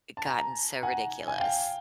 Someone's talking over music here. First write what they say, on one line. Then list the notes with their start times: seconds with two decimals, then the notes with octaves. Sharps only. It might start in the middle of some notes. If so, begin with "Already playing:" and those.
I gotten so ridiculous.
0.17 A5
0.25 G#5 A#5
0.83 F#5 G#5
1.28 G#5
1.40 F5 G5